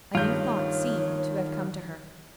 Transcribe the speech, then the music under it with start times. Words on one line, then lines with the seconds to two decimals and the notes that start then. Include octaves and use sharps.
A new thought seemed to have come to her.
0.15 G2 D#3 F4 C#5 G6